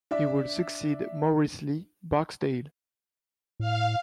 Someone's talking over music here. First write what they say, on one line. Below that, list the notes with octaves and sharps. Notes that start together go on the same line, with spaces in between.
He would succeed Maurice Lee Barksdale.
D4 E5
A2 F5